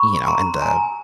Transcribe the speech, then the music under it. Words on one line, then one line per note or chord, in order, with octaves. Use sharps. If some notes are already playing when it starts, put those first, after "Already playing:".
you know, in the
Already playing: B5 C#6
A#5 C6
G#5 A#5